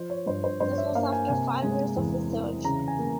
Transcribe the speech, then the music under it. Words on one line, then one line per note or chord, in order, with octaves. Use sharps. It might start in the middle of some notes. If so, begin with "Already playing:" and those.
This was after five years of research.
Already playing: F3 C5
C#5
G2 C5
C5
G2 C5
C#5
E5
A#3 F5
G#5
C3 G#5
G#3 G#5
E2
E3
C#3 A#5
G#5
A#3